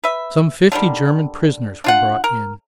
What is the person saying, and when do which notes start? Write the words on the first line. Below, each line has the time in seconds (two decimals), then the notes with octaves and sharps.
Some fifty German prisoners were brought in.
0.04 B4 E5
0.72 D3 D#3 F#3 G3
1.84 D4 F4 F#5
2.24 A#4